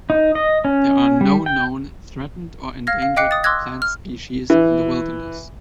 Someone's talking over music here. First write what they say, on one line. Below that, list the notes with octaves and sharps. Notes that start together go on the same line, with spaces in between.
There are no known threatened or endangered plant species in the wilderness.
D#4
D#5
C#4
G3
G5
F5 F6 G#6 A#6
F5
D#5 G5 D6 F#6 C7 C#7
D#6 A6
C6 D6 E6 F#6 G#6 A#6
F6
E3